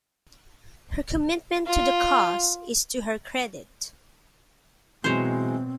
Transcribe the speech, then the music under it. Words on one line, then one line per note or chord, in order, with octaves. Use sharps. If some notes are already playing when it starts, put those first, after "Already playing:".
Her commitment to the cause is to her credit.
F4
B2 E3 F#3 G#3 C4 C5 C#5